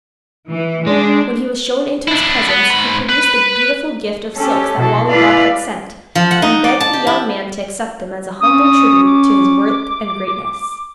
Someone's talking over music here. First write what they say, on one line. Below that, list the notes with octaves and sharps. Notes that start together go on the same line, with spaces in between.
When he was shown into his presence he produced the beautiful gift of silks that Wali Dad had sent, and begged the young man to accept them as a humble tribute to his worth and greatness.
E3
G#3 D4
D4 E4
B3
G#2 B5
B4 B5
C#4 G4 A4
B2 F#3 E4 A4
E4 B4 D5 F5
F3
F#5
D#4
D5
A5
G4
E4
C#4 D#6
D6